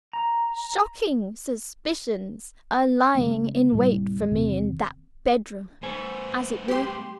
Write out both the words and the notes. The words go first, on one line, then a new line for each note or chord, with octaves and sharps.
Shocking suspicions are lying in wait for me in that bedroom, as it were.
A#5
C#3 G#3 A3 B3
D#2 A2 C3 G3
E2 C3 D#3 C4
A3 B3 C5 G#5
G4 C6